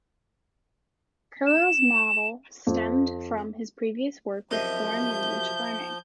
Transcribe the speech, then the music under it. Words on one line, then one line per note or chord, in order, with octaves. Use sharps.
Carroll's model stemmed from his previous work with foreign language learning.
E7
F2
F#2 C3 F3 D#5 E5 G6